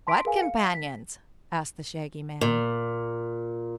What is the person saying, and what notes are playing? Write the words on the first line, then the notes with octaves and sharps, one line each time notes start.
"What companions?" asked the Shaggy Man.
A5 C6 B6 D7
G#4 A#4 B4 F5 G#5
F5 C#7
B6
A#2